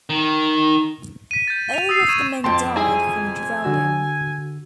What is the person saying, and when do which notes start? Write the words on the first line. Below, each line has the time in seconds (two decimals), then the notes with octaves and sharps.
All of the men died from drowning.
0.10 D#3
1.31 B6 D#7
1.47 G6 A6
1.74 F7
1.89 D#6 E6 A6 C7 D#7
2.09 C#6 G#6 D#7 E7
2.44 F2 G5 A5 C6
2.76 E4 G#4 G#5 A#5
3.64 D3 F#4 E6